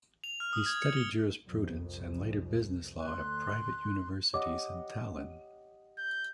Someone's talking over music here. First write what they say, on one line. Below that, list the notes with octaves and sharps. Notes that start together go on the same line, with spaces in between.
He studied jurisprudence and later business law at private universities in Tallinn.
F7
F6
D#6
G#6
C#7
G7
C2 F2
D2 C6 F#6
G4 C#5 D#5 F#5 D6
G6